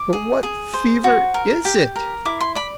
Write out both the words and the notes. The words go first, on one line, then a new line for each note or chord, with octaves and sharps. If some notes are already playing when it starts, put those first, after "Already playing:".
"But what fever is it?"
Already playing: D6
G#4
G#4
C5
F#4
A#4
G4
A#4
E4 D6
C6
D5 B5